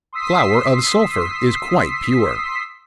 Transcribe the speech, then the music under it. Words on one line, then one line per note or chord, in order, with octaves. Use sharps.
Flower of sulphur is quite pure.
C6 D#6 E6 B6 C7